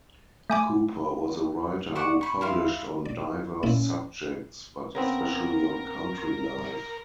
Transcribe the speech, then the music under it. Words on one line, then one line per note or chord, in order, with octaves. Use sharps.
Cooper was a writer who published on diverse subjects, but especially on country life.
A3 G#5 D6
C5 D5 F#5 C#6
B5 C#6
E4 F5 C6
D5
A#2 C#4 E4 F4
C#3 B3 C4 A#4